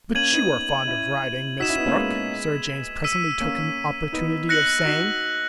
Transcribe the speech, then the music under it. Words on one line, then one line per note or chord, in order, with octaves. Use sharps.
"But you are fond of riding, Miss Brooke," Sir James presently took an opportunity of saying.
A#3 C#4 G#6 D#7 F#7
B3 D#4
C#4 E4
D#4 F#4 E6 B6 E7
C#4 E4
B3 D#4
A#3 C#4
G#3 B3
E6 B6 D#7
A#3 C#4
B3 D#4
F#6 A#6 C#7 F#7
D#4 F#4